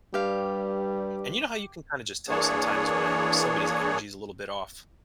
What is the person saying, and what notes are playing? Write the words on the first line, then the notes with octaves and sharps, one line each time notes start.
And you know how you can kinda just tell sometimes when somebody's energy is a little bit off.
G2 G3 G4 F5
E3 A#3 D4 G#4 C#5